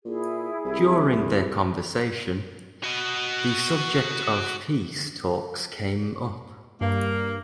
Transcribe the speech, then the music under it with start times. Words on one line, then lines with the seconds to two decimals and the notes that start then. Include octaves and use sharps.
During their conversation, the subject of peace talks came up.
0.05 A#2 E4 G#4
0.65 C2
2.83 F#4 D#5
6.81 G2 A#3